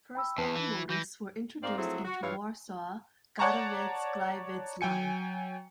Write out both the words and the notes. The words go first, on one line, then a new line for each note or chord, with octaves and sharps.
First locomotives were introduced into Warsaw-Katowice-Gliwice line.
G5 B5 E6
E2 B4 A5
E3
E3 G6 A#6
G#2 C4 A#4 D5 F5
F3 F#3 A3 C4 E4 G#4
F#4
G2 E3 F4 C#5 F5
C#5 D5 F#5 A5 A#5 C#6
F#3 G5 G#5 C#7